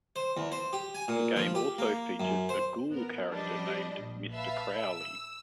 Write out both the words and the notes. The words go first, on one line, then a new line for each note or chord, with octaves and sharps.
The game also features a ghoul character named "Mister Crowley".
C5
E2
C5
G4
G#5
A#2
F3
G4
A#3
F#2
C5
A1 B3 A#4
F3 G3 D4 D#5
A#1
B4 E5 F5 A5 E6
E6